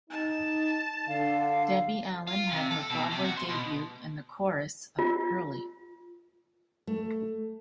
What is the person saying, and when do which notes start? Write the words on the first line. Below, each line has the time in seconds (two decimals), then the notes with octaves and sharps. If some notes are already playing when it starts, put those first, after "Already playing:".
Debbie Allen had her Broadway debut in the chorus of "Purlie".
0.10 D#4 A5
1.08 D3 F5
2.27 F4
2.51 C3
2.71 A4
2.89 B2
3.11 C3
3.25 F#4
3.37 C6
3.49 B2
4.99 F4
6.87 A3